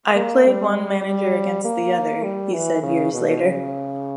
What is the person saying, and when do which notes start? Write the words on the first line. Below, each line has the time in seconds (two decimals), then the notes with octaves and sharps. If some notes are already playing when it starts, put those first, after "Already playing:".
"I played one manager against the other," he said years later.
0.16 A#3
0.46 G3
1.05 G3
1.64 A#3
2.23 G3
2.53 E3
2.83 C#3
3.13 B2
3.42 C#3